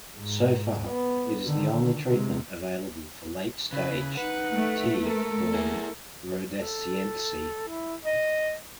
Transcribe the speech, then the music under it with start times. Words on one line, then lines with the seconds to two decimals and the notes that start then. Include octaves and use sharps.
So far, it is the only treatment available for late-stage "T. born rhodesiense".
0.16 G#2
0.87 B3
1.46 D3 D#3
2.08 C3 G#3
3.73 C#3 E4 B4
4.17 D#4 B4 F#5
4.54 A3
5.04 A4 A#4
5.54 E4 G#4
6.58 A4
7.68 E4
8.05 D#5